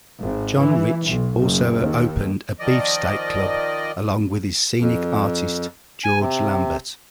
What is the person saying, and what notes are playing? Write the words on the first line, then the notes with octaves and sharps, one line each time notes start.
John Rich also opened a Beefsteak Club along with his scenic artist, George Lambert.
G#1
E3
B1
F#1
D#2
D#3 F3 D5 D#5
F2
G#5
C3